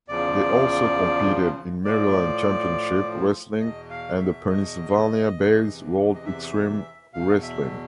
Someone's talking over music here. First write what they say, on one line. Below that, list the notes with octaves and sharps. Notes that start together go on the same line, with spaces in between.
They also competed in Maryland Championship Wrestling and the Pennsylvania-based World Xtreme Wrestling.
E2 C#3 F3 D5
A2 F3 D5
E2 B2 D#5
F5
E5
D#5
E2 C3 E3
D#5
E5
E2 B2 F5
E5